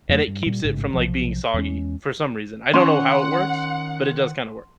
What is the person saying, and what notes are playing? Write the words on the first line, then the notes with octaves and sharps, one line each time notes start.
and it keeps it from, like, being soggy for some reason. I don't know how it works, but it does kinda work.
F2 F#3 G3 A3
G2
A#2 G3
A1 G#2 C#3
B1 C3 F3
E2 G#3 C#4
D#3 C#4 F#5 C6